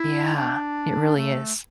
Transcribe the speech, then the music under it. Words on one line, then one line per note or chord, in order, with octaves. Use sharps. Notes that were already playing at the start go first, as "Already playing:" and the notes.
Yeah. It really is.
Already playing: E4
D4
A3